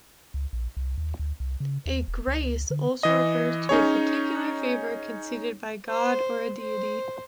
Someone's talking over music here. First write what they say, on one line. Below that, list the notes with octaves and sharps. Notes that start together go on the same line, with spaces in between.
A “grace” also refers to a particular favor conceded by God or a deity.
C#2
A#1
C2
D#2
D2
C2
C#3
D#2
E1
C#2
D3
E3 D#5
C#4 D#4 G#4 C#5
C5
C5